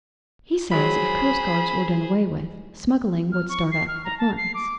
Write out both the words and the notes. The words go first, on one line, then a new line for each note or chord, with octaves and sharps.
He says if coastguards were done away with, smuggling would start up at once.'
D#3 F#3 G#3 G#4 C5 B5
F6
C#6
C7
F6
A#5
A5
C7
D6